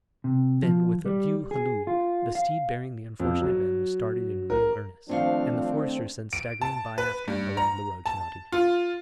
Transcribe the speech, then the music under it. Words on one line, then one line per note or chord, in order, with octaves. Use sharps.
Then, with a "view halloo," the steed bearing the unfortunate man was started in real earnest; and the foresters sent staggering by after it along the road to Nottingham.
C3
F3
G3
G#4
F4
F5
F2
F#3
A#4
D#3 F3 A3 C4 D4 F5
D7
A5
B4
G2
A#5
A5
F4